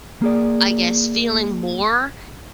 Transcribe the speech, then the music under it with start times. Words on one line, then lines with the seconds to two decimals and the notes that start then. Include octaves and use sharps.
I guess, feeling more
0.22 A#3 G#4 D5